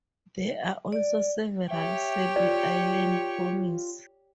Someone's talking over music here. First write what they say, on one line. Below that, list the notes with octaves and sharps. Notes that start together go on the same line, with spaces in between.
There are also several Sable Island Ponies.
D5
G4 C#5 E5
F4 D5